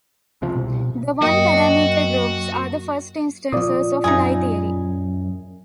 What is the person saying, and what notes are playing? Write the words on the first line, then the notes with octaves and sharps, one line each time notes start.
The one-parameter groups are the first instance of Lie theory.
C#2 C3 F3
C2 B2
F#2 A#3 F#4 A#4 D#5 G5
A#2 F3 F4 D5 D#6
F#2 D#4 E4 G#4